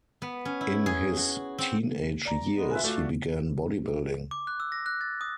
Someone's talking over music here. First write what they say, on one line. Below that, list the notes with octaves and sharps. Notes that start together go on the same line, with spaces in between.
In his teenage years, he began bodybuilding.
B3
C#4
E4
G#4
F#4
C4
D5 A#5
G#3 B3
B2 F4 B4 E5 G#5
A3 F4 F#4 D5
D6
F#6
E6
A#6
F#6
A6
D#6